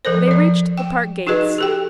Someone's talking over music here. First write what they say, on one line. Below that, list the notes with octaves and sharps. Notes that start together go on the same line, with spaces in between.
They reached the park gates.
F3 A4 A#4 C5
F3 D5
G5
D#4 F#4 G#4 B4 D#5
G4 A4 G5